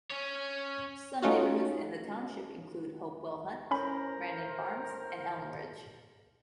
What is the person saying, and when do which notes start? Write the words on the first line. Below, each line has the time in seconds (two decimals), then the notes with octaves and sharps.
Some neighborhoods in the township include Hopewell Hunt, Brandon Farms and Elm Ridge.
0.10 C#4 C#5
1.22 A3 C#4 D#4 F4 F#4
3.71 A2 C#4 A#4 C5 B5